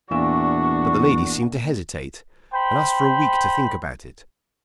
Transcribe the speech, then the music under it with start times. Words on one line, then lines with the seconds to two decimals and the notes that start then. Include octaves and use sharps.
But the lady seemed to hesitate, and asked for a week to think about it.
0.11 E2 A#2 D4 F#4 E5 C#6
2.54 C5 G5 B5